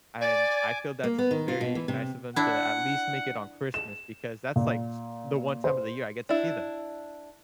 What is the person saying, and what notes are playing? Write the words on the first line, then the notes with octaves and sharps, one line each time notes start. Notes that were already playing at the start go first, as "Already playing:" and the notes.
and, I feel that's very nice of 'em to at least make it on Christmas, because that's like s the one time of the year I get to see them.
D5 G#5 D6
A#3
B3
D#3
F4
B2
E3
C3
D4 E4 F#5
E7
A#2
C5
D4 E4